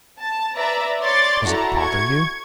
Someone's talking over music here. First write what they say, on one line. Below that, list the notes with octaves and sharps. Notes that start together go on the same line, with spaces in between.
"Does it bother you?"
A5
B4 D5 E5 A#5
C#5 D5 C6 D6 A6
E4 F#4 A4 A5 A#5
C#6 G#6